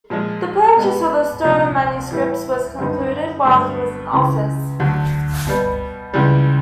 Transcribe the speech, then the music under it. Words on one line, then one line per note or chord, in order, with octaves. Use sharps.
The purchase of the Stowe manuscripts was concluded while he was in office.
A#2 F3 G#3
B2 G#3 B3
C2 A#2 F3 A3 D4
A2 E3 G3 B3 E4
F#2 D3 G3 B3 D#4
G2 D3 F#3 A3
C#2 C#3 E3
D2 D3 F#3
B2 G3 B3
C#2 C#3 E3 G3